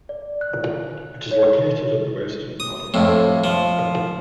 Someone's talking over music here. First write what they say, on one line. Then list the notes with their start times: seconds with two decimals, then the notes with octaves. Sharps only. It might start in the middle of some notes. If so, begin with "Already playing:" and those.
It is located on the western part of the Island.
0.09 D5
0.41 F#6
1.31 C#5
2.60 D#6
2.94 F2 A2
3.44 F3